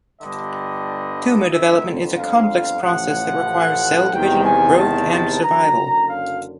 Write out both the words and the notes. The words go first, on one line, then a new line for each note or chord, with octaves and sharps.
Tumor development is a complex process that requires cell division, growth, and survival.
G1 G2 D3 G3 D#5
G1 F2 D3 E5
F5
A1 A2 F3 F#5
E2 C3 D#3 G5
G#5
A5
A5
F#1 F#2 D3 F#3 A#5
F5